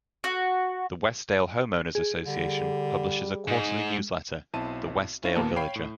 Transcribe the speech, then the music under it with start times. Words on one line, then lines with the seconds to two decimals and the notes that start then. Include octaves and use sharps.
The Westdale Homeowners' Association publishes a quarterly newsletter, "The Westdale Villager".
0.24 F#4
1.95 G#4
2.27 D3 G3
3.48 G#2 G#3
4.54 B1 C4 E4 A5 D#7
5.23 C#4 E4 C#5 F5
5.36 D#2 A#2 A#3 B3 A5
5.56 C#5 F5 G5 B5 C7
5.76 A2